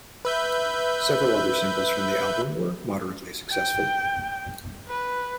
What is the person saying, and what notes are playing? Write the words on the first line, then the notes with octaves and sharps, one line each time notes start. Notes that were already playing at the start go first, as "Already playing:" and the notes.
Several other singles from the album were moderately successful.
B4 E5 G6
G5
B4